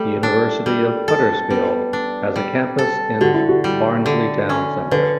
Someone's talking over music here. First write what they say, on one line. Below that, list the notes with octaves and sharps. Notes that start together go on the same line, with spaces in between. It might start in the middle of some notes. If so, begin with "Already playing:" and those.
The University of Huddersfield has a campus in Barnsley town centre.
Already playing: G3 A3
D4
G3
A4
G3 B3
D4
G3
A4
D3 F#4
E4
F#4
G3
D3
C#4
D3 B4